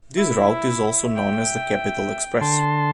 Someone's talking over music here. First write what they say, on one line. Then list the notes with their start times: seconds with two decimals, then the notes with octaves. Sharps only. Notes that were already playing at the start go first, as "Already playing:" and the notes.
This route is also known as the Capital Express.
0.17 E4 E5
1.16 G5
2.41 D3 A5 C6